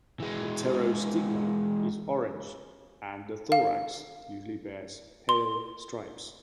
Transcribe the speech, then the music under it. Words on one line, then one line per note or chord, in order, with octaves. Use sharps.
The pterostigma is orange and the thorax usually bears pale stripes.
E3 G#3
F5
C6